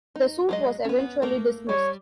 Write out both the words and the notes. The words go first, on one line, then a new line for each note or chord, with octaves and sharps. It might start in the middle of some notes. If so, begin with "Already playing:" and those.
The suit was eventually dismissed.
D#4
F#3 G#3 D#5
B3 C#4
A3 A#3 A#4
G3 C#5